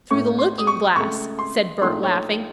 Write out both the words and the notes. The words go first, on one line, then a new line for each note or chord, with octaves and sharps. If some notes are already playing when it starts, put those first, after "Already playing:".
"Through the looking glass!" said Bert, laughing.
A2 A3 C#4 C#6
C6
D#6
C#6
C#2 C#3 A3 C#6
C6
A#1 A#2 A3 D#4 C6
C#5